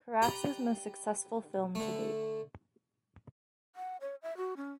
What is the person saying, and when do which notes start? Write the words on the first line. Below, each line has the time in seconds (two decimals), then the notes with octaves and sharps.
Carax's most successful film to date.
0.22 G4 B4 D5 G5 A#5
1.75 D3 A3
3.76 F#5
4.01 C#5
4.22 E5
4.37 F#4
4.57 C#4